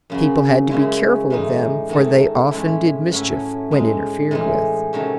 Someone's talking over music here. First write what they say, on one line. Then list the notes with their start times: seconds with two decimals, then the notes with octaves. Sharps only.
People had to be careful of them, for they often did mischief when interfered with.
0.10 F#2 C#3 F#3
0.69 F#2 C#3 G#3 C#4 E4
1.30 A2 E3 G#3 D#4
1.89 G#2 D#3 A3 D#4
2.51 A2 G#3 C#4 E4
3.11 A2 F#3 A3 C#4 E4
3.71 A2 G#3 D#4
4.31 A2 E3 G#3 D#4
4.93 C3 D#3 F#3 A3 C#4